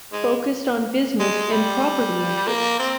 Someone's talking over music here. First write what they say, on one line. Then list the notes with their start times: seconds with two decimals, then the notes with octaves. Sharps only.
Focused on business and property interests.
0.12 G#3
1.20 G#3
1.51 G3
2.47 A#3
2.79 C4